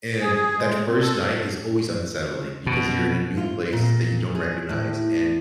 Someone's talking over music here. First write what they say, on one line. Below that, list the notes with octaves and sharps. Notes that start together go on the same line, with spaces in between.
And that first night is always unsettling because you're in a new place that you don't recognize, and
G#4
G#3
C4
A4
B2
F4
A#2
G#4
A2